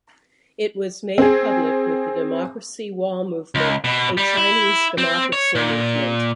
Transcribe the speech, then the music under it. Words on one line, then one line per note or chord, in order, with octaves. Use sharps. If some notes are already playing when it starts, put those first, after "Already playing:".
It was made public with the Democracy Wall Movement, a Chinese democracy movement.
C4 G#4
C#2
B2
G3
E4
C4
C#5
A#2